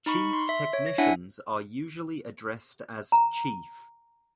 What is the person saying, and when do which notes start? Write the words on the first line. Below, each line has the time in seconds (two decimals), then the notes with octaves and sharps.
Chief technicians are usually addressed as "Chief".
0.06 D#4 B5 C#6
0.33 C6
0.49 E5
0.73 C#5
0.86 A#6
0.98 D4 E4 E5 F#5 G#5
3.12 A#5